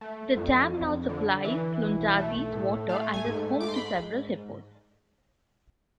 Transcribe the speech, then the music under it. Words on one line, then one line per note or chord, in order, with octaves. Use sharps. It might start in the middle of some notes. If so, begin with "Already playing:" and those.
The dam now supplies Lundazi's water and is home to several hippos.
A3
F2
F2
D3
E3
B1
A3
A2
A3 F5
G#5
G#2
G#2 D6
C6
B5